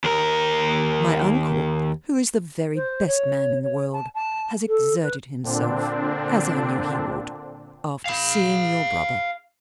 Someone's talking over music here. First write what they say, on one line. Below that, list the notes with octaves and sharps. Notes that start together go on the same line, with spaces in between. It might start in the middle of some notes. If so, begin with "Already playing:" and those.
My uncle, who is the very best man in the world, has exerted himself, as I knew he would, after seeing your brother.
D#2 A#4
C5
C#5
C#5
A5
A5
A4
B4
A#2 D3 C4 D4
F5 B5